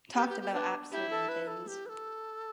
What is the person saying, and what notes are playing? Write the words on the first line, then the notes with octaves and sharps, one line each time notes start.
Talked about apses and things.
B3 G4
G4
G4
D4 B4
E4 G4
A4
B4
A4
G4
B4
A4